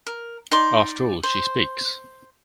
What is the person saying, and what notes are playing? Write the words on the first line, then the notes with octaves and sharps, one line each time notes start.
After all she speaks!
A#4
D#4 D5 C6
C5